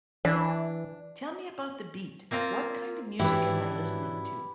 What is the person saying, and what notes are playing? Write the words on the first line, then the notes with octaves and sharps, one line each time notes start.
Tell me about the beat. What kind of music am I listening to?
E3 D4
A#3 C4 F4 A#4
G#2 E3 C#4 D4 E4 F#4 G4 B4